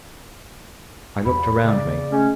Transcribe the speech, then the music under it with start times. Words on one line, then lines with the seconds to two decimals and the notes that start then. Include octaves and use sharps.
I looked around me.
1.25 E2 B5
1.65 C#3 D5
2.10 G#3 A3 C#4